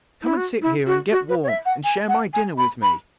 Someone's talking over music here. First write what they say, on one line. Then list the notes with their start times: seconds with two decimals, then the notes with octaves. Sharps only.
Come and sit here and get warm, and share my dinner with me.'
0.23 E4
0.37 F#4
0.62 E4
0.86 F#4
1.11 F#4
1.29 B4
1.44 C#5
1.48 E5
1.66 F#5
1.84 G#5
2.08 F#5
2.33 G#5
2.58 B5
2.82 B5